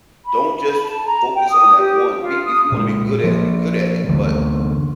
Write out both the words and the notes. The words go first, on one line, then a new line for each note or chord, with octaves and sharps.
Don't just focus on that one. Be if you wanna be good at it, be good at it, but
B5
A5
A#5
G5
D#6
G4
F4
D#6
A#2 G#3
F3 A#3
D2 D3 E3 A3